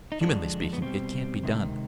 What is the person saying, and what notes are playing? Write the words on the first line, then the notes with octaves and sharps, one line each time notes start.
Humanly speaking, it can't be done.
D#4
F2 D3 F3 G#3 D4
B3
B2 G3 C4
C3 D#3 G#3